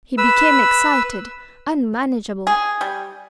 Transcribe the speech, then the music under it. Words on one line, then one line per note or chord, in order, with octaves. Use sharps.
He became excited, unmanageable.
B4 E6
G#4
G3